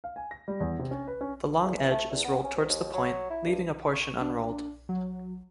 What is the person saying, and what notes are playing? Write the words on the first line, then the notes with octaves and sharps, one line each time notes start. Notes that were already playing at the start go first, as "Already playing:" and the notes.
The long edge is rolled towards the point, leaving a portion unrolled.
F5
G#5
A#6
G3
E2
C3
C#4
B4
C#4
E2
E3
A3
E2
B3
C#4
D2
D#2
F#3
E4
G2
C#6
D4
F#3